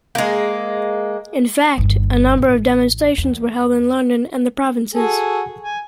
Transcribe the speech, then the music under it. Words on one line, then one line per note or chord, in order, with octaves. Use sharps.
In fact, a number of demonstrations were held in London and the provinces.
G#3 A#3
G1 D#2
A1
E2
F#4 G#4 A4
G#5